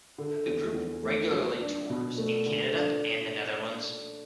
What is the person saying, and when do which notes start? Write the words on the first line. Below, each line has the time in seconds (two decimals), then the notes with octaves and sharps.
The group regularly tours in Canada and the Netherlands.
0.18 D3
0.46 E2
0.74 E2
1.04 A3
1.32 F#3
1.60 D4
1.90 B2
2.18 A3
2.46 D3
2.74 D4